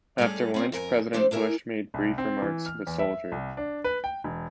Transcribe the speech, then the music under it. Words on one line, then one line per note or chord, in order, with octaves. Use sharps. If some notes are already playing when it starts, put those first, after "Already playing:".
After lunch, President Bush made brief remarks to the soldiers.
G3 A3 C#4 G#4 A4
A#3 C4 C#4
F2 A#4 G#5
F3 A3 D4 G4 C5
D4 E4 A#4 E5 G#5
C2
C4
E3
F6
E2
E5
C2
D4
B4
G5
E1